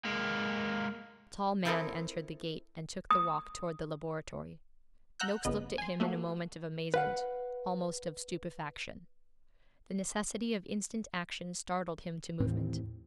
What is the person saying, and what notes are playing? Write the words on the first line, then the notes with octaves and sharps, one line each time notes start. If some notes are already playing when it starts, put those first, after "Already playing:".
A tall man entered the gate and took the walk toward the laboratory. Noakes looked at him in a moment of amazement, almost of stupefaction. The necessity of instant action startled him to movement.
G#3 A#3
C4 E4 F4 A4 A#4 D#5
D#6
F#5 A#5 E6 F#6 G6
G1 A#2 C#3 B3 D#5
G#5 C6
A3 A#3 F#4
B4 F5 F#5
D#2 A2 E3 C4